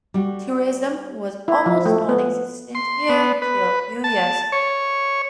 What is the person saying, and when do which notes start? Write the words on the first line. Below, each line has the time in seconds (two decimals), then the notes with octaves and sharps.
Tourism was almost non-existent here till a few years ago.
0.14 G3 F#4
1.48 E4
1.66 F3
1.86 A3
2.09 B3
2.75 C6
3.09 B3
3.42 B4
4.04 A5
4.52 C#5